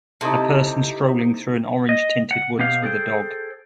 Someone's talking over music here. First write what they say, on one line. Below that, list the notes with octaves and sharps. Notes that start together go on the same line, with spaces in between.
A person strolling through an orange tinted woods with a dog.
C3 D#4 E4 A4 C5
D#5
F#5
B2 B3 G4 F5
G#4 A4 C5 G5